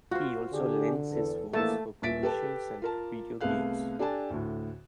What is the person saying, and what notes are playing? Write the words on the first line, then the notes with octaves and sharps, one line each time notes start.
He also lends his voice for commercials and video games.
F4 F#4 C5
D3 D4 G4 G#4
E2 A4
A#1 E3 A3 A#3 A4 A5
D#1 A#2 E5 A6 B6 D7
G4 A4 B4 A5
F4 A#4 A5
C2 A3 B3 G#4 F5 F#6
D4 G4 A4 G#5 A5
D2 A2